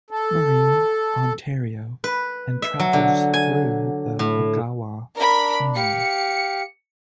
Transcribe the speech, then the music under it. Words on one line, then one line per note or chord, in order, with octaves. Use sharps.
Marie, Ontario and travels through the Agawa Canyon.
A4
B4
E5
F#3
D3
G#5
A2
D4 A#4 B5
G4 F5 C#7